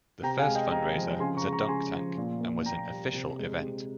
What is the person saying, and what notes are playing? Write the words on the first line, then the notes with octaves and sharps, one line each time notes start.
The first fundraiser was a dunk tank and was an "official" event.
C3 G5 A#5
F5 G#5
G#3
D#5 G5
C3 G5 A#5
F3
C#3 G#5 C6
A#5 C#6
G#3
A#5 C#6
C#3 G#5 C6
F3
A#2
A#3
A#2 G5 A#5
G3
C3
G#3
C3